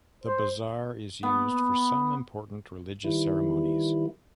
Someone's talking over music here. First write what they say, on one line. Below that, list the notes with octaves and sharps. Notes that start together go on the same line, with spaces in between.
The bazaar is used for some important religious ceremonies.
C5
B3
D#3 E3 G3 E4